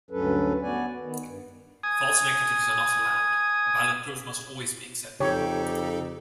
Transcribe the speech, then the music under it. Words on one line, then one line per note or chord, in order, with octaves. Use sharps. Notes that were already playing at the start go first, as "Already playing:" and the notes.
False negatives are not allowed: a valid proof must always be accepted.
D2 G2 F#3 C#4 A4 B4
B3 F#4 D5 G#5
D#3 B3
G2
G#5 D#6
F2 C#3 D#4 G4 A4 C#5